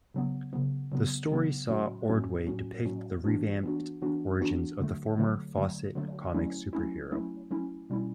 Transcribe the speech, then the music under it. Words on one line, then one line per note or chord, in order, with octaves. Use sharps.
The story saw Ordway depict the revamped origins of the former-Fawcett Comics superhero.
C#3 F#3 B3
C#3 F#3 B3
C#3 F#3 B3
C#3 F#3 B3
A2 F#3 C#4 F#4
A2 F#3 C#4 F#4
A2 F#3 C#4 F#4
A2 F#3 C#4 F#4
E3 B3 D4 F#4
E3 B3 D4 F#4
E3 B3 D4 F#4
E3 B3 D4 F#4
D3 F#3 A3
D3 F#3 A3
D3 F#3 A3
D3 F#3 A3
F#3 A3 C#4 E4
F#3 A3 C#4 E4
F#3 A3 C#4 E4
F#3 A3 C#4 E4
B2 G3 C#4 E4